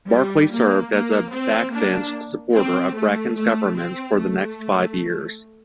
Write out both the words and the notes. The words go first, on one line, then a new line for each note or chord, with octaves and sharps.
Barclay served as a backbench supporter of Bracken's government for the next five years.
G3
A#3
A#3
C4
A#3 D4
C4
A3
A3
C4
A3